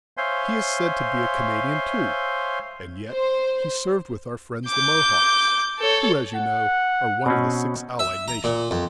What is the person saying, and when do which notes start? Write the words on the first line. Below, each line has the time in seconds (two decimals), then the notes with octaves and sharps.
He is said to be a Canadian too; and yet he served with our friends the Mohawks, who, as you know, are one of the six allied nations.
0.17 C5 C#5 E5 F5 G#5 C6
3.11 C5
4.69 D6 G6
5.79 A4 C#5
6.35 F#5
7.26 B2 C4 C#4
7.99 E5
8.28 A#5
8.44 A#2
8.71 F2